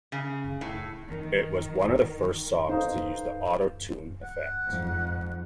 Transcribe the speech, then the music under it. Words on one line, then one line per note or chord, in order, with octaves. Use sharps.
It was one of the first songs to use the autotune effect.
C#3
A2
D#3
D#4 A4 B4 C5 F5
F#5
F2 G#2